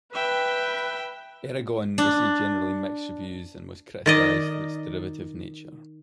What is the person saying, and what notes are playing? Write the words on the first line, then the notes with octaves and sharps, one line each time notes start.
"Eragon" received generally mixed reviews and was criticized for its derivative nature.
B4 E5 G5
D4
D#3 D5 D#5